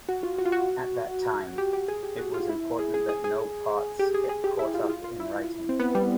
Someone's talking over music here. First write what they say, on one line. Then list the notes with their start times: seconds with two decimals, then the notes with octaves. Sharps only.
At that time, it was important that no parts get caught up in writing.
0.09 F#4
0.23 F4
0.38 F#4
0.45 F4
0.52 F#4
1.58 G4
1.73 G4
1.88 G#4
2.03 G4
2.19 F#4
2.34 F4
2.49 E4
2.79 G#4
2.94 G#4
3.09 G#4
3.24 G#4
3.99 G4
4.14 G#4
4.29 G#4
4.44 G4
4.59 E4
4.74 F4
4.90 F4
5.04 F4
5.20 E4
5.69 C4
5.80 B3
5.95 G3